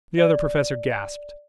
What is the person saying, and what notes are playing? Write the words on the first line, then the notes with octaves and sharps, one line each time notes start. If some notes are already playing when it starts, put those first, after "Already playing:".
The Other Professor gasped.
D5